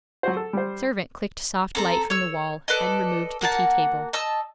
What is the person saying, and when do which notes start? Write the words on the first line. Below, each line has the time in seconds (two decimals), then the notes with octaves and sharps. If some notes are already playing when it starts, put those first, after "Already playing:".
A servant clicked soft light from the wall, and removed the tea-table.
0.23 F#3 F#4 C5
0.37 A4
0.53 G3 C5
1.75 C4 A4 A#5
2.10 C#5 E6
2.68 A4 B4 D5 D#5
3.41 A#3 F#4 F#5 A5
4.13 D#5 A5 E6